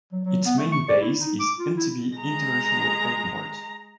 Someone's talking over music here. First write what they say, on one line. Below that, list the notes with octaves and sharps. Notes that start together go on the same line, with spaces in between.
Its main base is Entebbe International Airport.
F#3
F#3
B3
A3
C#6
D5
E4
D#4
D6
F4
E4
G#3 A#5